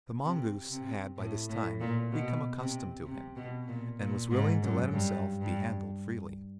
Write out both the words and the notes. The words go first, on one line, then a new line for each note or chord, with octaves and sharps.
The mongoose had by this time become accustomed to him, and was willing to let himself be handled freely.
C3
C3
A2
A2
A#2
B2
C3
C3
B2
A#2
A#2
G#2
F#2
G2
G2